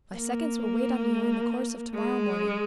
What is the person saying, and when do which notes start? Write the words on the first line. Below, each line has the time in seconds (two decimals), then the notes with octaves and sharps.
My seconds will wait on you in the course of to-morrow morning.
0.16 A#3
1.94 G#3